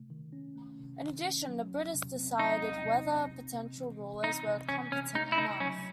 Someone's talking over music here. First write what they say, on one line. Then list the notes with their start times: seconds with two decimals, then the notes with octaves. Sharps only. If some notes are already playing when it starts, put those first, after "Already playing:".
In addition, the British decided whether potential rulers were competent enough.
Already playing: C3 A3
0.10 D#3
0.33 C#4
0.56 A3
0.79 C3
1.02 D#3
1.25 C#4
1.48 F#3
1.71 E2
1.94 C3
2.16 C4
2.39 F#3 D#4
2.63 E2
2.85 C3
3.08 C4
3.32 C4
3.54 C3
3.77 E3
4.00 C3
4.23 C4 D#4
4.47 C3
4.69 E3 C#4
4.92 C3 C#4
5.15 A3 D#4
5.32 E4
5.38 C#3 D#4
5.60 F#3 C#4